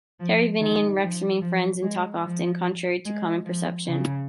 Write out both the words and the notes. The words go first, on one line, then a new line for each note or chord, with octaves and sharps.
Terry, Vinnie and Rex remain friends and talk often, contrary to common perception.
F3
D#3
F3
F3
G#3
F3
G#3
F3
C#3